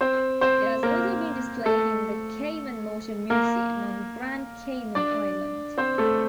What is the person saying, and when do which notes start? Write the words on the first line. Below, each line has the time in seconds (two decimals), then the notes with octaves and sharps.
It has also been displayed in the Cayman Motor Museum on Grand Cayman Island.
0.01 C4 C5
0.41 C4 C5
0.83 A#3 A#4
1.66 A3 A4
3.30 A#3 A#4
4.95 D4 D5
5.78 C4 C5
5.98 A3 A4